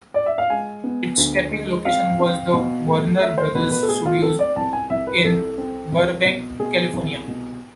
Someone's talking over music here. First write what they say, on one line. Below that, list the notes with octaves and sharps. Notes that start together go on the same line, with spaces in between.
Its taping location was the Warner Brothers Studios in Burbank, California.
D5
E5
F5
G#3 G#5
B3
D2
G#3
C4 F5
C4
B2
A3
A3 E5
C5
B2 B4
B4
A4
A3 G#4
F4
C4 A4
D5
C2 A5
G#5
C2 E5
B4
C2 A4
C4
C2
B2
B2 G#4
C2
B2